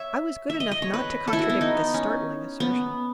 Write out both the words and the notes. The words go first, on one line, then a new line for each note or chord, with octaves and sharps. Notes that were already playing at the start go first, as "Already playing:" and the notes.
I was good enough not to contradict this startling assertion.
Already playing: C#5 E5
E5
D#5
D#5
C#5
B4
A4
E4
F#4
B3
D#4
C#4
B3